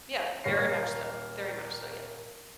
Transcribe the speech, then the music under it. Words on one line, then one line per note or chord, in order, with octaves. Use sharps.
Yeah, very much so, very much so, yeah
D#1 A#3 A#4 C#5 A#6 C7